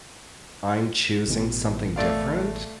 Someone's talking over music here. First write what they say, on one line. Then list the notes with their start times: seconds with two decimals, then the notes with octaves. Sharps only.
I'm choosing something different,
1.28 A1 B2 E3
1.96 A3 D5 F5